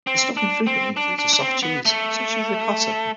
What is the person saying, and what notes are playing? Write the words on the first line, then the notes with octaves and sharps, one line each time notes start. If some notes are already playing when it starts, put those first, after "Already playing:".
The stuffing frequently includes a soft cheese, such as ricotta.
C4
D4
C4
D4
D4
D4
C4
B3
A3